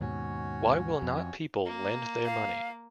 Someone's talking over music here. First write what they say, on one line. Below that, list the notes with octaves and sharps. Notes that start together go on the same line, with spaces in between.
Why will not people lend their money?
D#2 G#2 B2 C#4 F#4 C#5
F2
A#3
F5